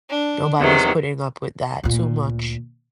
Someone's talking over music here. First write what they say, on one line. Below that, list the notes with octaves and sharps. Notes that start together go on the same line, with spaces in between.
Nobody's putting up with that too much.
D4
E2 C3 D#3 F#3
D2 A#2